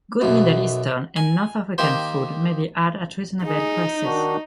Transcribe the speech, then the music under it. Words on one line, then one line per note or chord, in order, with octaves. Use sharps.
Good Middle Eastern and north African food may be had at reasonable prices.
B1 F#2 B2
G#5
D#3 A#3 G4 C5
D#4 G#4
D#3 D4 F#4